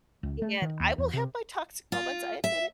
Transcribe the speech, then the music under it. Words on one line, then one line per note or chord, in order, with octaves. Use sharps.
And I will have my toxic moments, I admit it.
C#2
A3
D#3
D#2
E2
C3
F4
E5